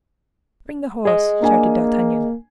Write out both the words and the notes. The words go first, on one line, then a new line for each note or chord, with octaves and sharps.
"Bring the horse!" shouted D'Artagnan.
G#4 D#5
A#3 D4 G#5